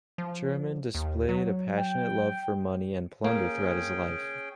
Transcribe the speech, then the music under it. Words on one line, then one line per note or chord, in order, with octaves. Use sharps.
Churaman displayed a passionate love for money and plunder throughout his life.
F3
D#2
F#3
G5
A#3 C#4 G#4 G5